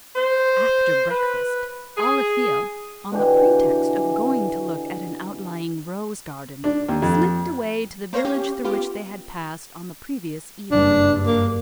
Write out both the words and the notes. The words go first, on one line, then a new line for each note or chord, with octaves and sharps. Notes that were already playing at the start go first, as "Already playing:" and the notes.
After breakfast Alethia, on the pretext of going to look at an outlying rose-garden, slipped away to the village through which they had passed on the previous evening.
C5
B4
G#4
B2 D3 E3 G4
D4
D#2
F2
A#3 C5 C#5 F5 A#6
C#4 G4
B3 F4 G4
F#1 G2 D4
A#3